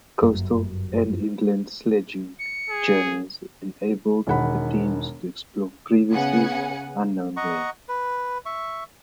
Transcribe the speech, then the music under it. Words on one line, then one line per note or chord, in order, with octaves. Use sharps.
Coastal and inland sledging journeys enabled the teams to explore previously unknown lands.
G1 F#2
C#7
G#4
E1 D#3 F#5 B5
C#3 B3 F#5 G#5 C#7
D#5 F#5 A#5 C#6
B4
E5 C#6